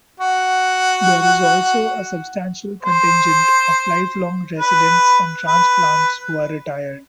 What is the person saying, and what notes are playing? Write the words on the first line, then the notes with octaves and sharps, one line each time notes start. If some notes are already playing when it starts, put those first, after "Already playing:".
There is also a substantial contingent of lifelong residents and transplants who are retired.
F#4
C5
B4
B4